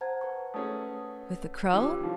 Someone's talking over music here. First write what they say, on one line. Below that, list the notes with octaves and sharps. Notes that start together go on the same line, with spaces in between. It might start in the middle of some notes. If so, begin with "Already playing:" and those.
'With the crow?
C5 F#5 A5 A#5 G#6
B4 F#5 C#6
A3 C#4 G#4 D#6
E3 C#4 E4 F4 G4 D6
D#3 F3